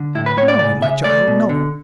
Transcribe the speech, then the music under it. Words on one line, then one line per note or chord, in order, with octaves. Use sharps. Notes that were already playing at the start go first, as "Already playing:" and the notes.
"No, my child, no!"
Already playing: D3
A2 E4
B4
A2 C#5
D5
C#3 D5
C#3 E5
A3 D5
B2
D3